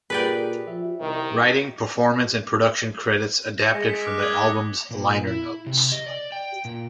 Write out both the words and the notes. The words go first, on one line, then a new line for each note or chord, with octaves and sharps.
Writing, performance and production credits adapted from the album's liner notes.
A#2 G4 G#4 A#4 B4 D5 G5
F3 E5
C2 D#3
C#7
G#3 A#6 C#7
B6 D7
D6 F6 F#6
D#6 G#6 G7
D6 G#6
A#2
E4
C3
D#5
D5
G5
A#2